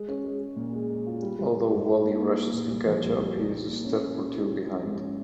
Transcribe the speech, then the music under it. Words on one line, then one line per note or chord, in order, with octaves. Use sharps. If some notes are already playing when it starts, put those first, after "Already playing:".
Although Wally rushes to catch up, he is a step or two behind.
Already playing: G#3
C#4
G#3
G#3
A#2
G#3
G#3
F4
G3
G3
G3
G2
E4
A#3
A#3
G3
A#2
C2
F3
C2
C2
C2
A#2
A#2
C#4
C#4
C#4
E4
G3
G3
G#2
C#4